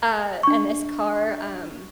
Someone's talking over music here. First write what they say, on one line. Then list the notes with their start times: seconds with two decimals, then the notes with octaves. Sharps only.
Uh, and this car, um,
0.43 D4 C#6